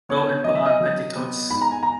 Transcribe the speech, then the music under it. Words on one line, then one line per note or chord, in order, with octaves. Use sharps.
Go and put on petticoats.
B3 C#5
F#3 D#5
E5
D#5
F#3
B3
G#2 B5
A#5
G#5
A#5